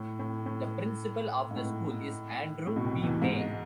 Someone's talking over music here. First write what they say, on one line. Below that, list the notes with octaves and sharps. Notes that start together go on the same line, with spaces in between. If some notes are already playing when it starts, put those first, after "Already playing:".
The principal of the school is Andrew P. Mey.
Already playing: A2
A2
A2
G#2
A2
A2
B2
C2 C3
E2 E3
G#2 G#3
G#3